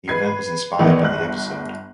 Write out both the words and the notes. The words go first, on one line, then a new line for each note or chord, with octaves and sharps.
The event was inspired by the episode.
B4 G#6 C7
A#1 D#3 E3 B3 A4
G1 F#6